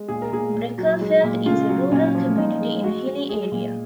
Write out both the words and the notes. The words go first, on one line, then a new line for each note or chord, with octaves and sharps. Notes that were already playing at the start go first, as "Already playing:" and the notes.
Breckerfeld is a rural community in a hilly area.
Already playing: G#3
A#2 G#4
A#4
A#2 G#4
A#2
F#3
G#3
A#2
C#3 F4
F#3
A#2 C#4
F3
A#2 D#4
G#3
G#3 F#4
G#3
G#3 G#4
A#2